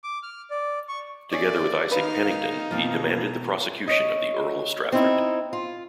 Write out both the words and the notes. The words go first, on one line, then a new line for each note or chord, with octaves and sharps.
Together with Isaac Penington, he demanded the prosecution of the Earl of Strafford.
D6
F6
D5
C#6
G#4 C#5 D5 E5
D#3 D#4 B4 F5 F6
B2 E3 F3 A#3 C4 F4 A#5
C#5 D#5
C4 D#4 E4
F4